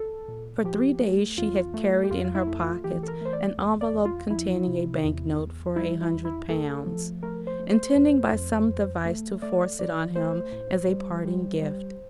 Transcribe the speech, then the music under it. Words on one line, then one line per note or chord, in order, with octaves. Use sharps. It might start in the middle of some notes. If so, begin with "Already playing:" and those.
For three days she had carried in her pocket an envelope containing a bank-note for a hundred pounds, intending by some device to force it on him as a parting gift.
Already playing: A4
A#2
F3 G4
A3
E2 F4
A3
G4
F2 F4
F4
E4
A3
F4
E3 G4
A4
A#4
A3 C5
D5
E2
D5
E2
F4
F3 E4
C3
E2
E2
G3 E4
E4
E2
E4
A3 A4
F3
A3 A#4
C5
A3
C5
F2
F2
F2
A3
A3 D5
E3 D5
A3 C5
A2
G3
G3
G3